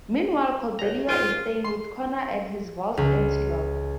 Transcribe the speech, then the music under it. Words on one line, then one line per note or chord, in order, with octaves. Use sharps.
Meanwhile, Cordelia is staying with Connor at his vast empty loft.
B1 A#5
G#1 F4 G5 G#5
C6
C#2